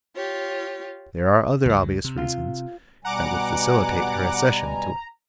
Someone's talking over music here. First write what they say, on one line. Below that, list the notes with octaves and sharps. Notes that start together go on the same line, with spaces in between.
There are other obvious reasons that would facilitate her accession to it.
F4 G4 C#5
C#2 F#3
C3
F4
B2 G3 F#5 G#5 A#5 D6